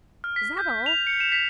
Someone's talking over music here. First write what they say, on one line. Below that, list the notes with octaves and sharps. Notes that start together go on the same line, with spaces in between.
"Is that all?"
F6
B6
G6
F7
C#7
E7
B6